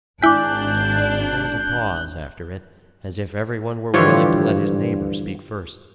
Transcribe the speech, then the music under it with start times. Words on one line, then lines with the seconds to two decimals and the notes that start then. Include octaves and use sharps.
There was a pause after it, as if everyone were willing to let his neighbor speak first.
0.23 G#1 D4 E4 G#5 D6 F#6 G6 B6
3.94 G2 D3 E3 F3 F4 G4 C#5